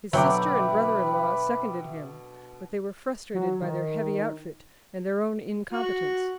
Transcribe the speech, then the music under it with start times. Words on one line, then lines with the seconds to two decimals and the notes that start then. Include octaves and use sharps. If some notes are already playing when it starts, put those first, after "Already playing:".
His sister and brother-in-law seconded him; but they were frustrated by their heavy outfit and their own incompetence.
0.13 B2 D3 F#3 B4 E5 G5 D6
3.34 F#3
3.61 D#3
5.73 F#4